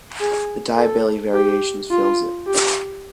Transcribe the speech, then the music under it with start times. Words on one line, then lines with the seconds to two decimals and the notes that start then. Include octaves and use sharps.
The Diabelli Variations fills it.
0.21 G#4
0.76 A4
1.34 G4
1.91 F4
2.47 G4